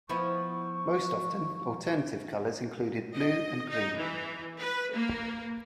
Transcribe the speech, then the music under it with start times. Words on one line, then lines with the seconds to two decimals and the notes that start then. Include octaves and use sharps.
Most often, alternative colors included blue and green.
0.09 F3 B3 E4 C#6
3.16 D#5
3.68 D#4
3.97 E3
4.60 B4
4.93 A#3